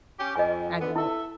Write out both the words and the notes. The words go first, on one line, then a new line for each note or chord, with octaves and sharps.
I know
C#4 G4
F2 D#5 G#5
D3 B3
E4 A4 E5